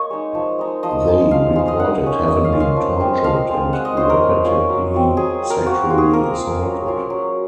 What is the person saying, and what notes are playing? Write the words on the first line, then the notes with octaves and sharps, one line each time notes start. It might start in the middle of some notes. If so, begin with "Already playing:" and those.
They reported having been tortured and repeatedly sexually assaulted.
Already playing: A#3 C#5 D#5
G#3 D#4
F3
G#3 D#4
F3 D#5
G#3 D#4
F3 F5
G#3 D#4 F5
D#5
A#3 F#5
C#4 F4
A#3 D#5
F5
C#4 F4
F5
F3
G#3 C4 F4
F3 F5
G#3 C4 F4
G#3 F#5
D#5
C#4 F4 C5
A#4
G#3
C#4 F4
F#3
C4 F4
F#3 G#4
C4 F4
A#4
A#3 F#4
F4
G#4
A#3 A#4
F4
F#3
A#3 C#4 F4
F#3